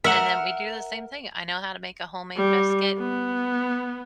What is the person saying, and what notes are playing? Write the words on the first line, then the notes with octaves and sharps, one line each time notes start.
And then we do the same thing. I know how to make a homemade biscuit.
A#4 E5 F#5
G3
B3